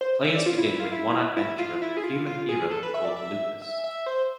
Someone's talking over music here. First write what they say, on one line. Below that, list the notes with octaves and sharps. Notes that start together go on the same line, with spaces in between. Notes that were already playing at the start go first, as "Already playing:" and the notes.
Players begin with one adventurer, a human hero called Lukas.
C5
E5
D5
F4
E4
E4
F4
E4
E4
F4
E4
G#4
F4
F4
G#4
A4
B4
E5
D5
E5
E5
E5
C5